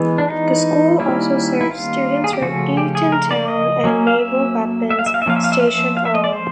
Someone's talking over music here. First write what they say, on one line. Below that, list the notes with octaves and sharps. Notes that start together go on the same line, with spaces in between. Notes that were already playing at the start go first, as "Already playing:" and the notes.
The school also serves students from Eatontown and Naval Weapons Station Earle.
Already playing: E3 G#3 B3
D4
D#4
D#3 G3 A#3 C#4 E4
E4
F4
G#4
G4
C#3 F3 A3 C#4 F#4
G4
G#4
A#4
D5
D#5
F#3 A#3 C#4
F5
E5
E5
F5
E5
F5
E5
F3 A#3 C#4 F5
E5
F5
E5
F5
E5
F5
E5
D#5
D5
C5